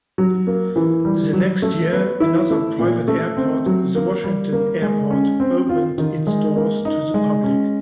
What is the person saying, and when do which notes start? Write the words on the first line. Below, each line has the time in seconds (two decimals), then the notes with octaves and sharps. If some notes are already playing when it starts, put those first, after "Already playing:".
The next year, another private airport, the Washington Airport, opened its doors to the public.
0.18 F#3
0.47 A#3
0.76 E3
1.05 G3
1.33 F#3
1.62 A3
1.92 B3
2.20 E4
2.50 A3
2.79 A#2
3.08 A3
3.37 C4
3.66 F#3
3.95 A#3
4.24 G3
4.52 A#3
4.82 G#3
5.11 C#4
5.40 C4
5.69 F4
5.98 D#3
6.27 G#3
6.56 A#3
6.85 D#4
7.14 G#3
7.43 C#4